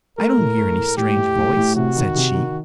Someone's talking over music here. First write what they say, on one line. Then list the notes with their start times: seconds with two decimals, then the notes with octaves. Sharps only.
"I don't hear any strange voice," said she.
0.18 A3 A#4
0.38 A2
0.58 A3
0.78 A2
0.97 A2 G4
1.16 A2
1.36 A2
1.56 A2
1.76 C3 F#4
1.96 D#3
2.15 C3
2.34 D#3